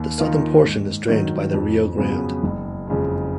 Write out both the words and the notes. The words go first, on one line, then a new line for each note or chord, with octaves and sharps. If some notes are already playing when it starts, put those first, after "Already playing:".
The southern portion is drained by the Rio Grande.
Already playing: D#2
D#3 A#3 F4 A#4
G#2
D#3 F#3
F2
C#3 F#3 B3
F#1
F2 C#3 G#3